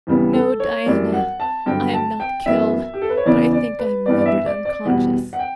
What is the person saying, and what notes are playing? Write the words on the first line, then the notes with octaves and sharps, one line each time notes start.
"No, Diana, I am not killed, but I think I am rendered unconscious."
E2 C#3 E3 G3 B3
A4
C#5
F#2 E3 G3 D5
F#5
A5
G2 D3 F#3 G5
A5
G5
F#2 E3 B3 E5
G4
A4
B4
C#5
E2 C#3 E3 B3 D5
D5
B4
G2 E3 B3 D5
D5
E5
D5
D5
E2 B2 G3 F#5
F#5
G5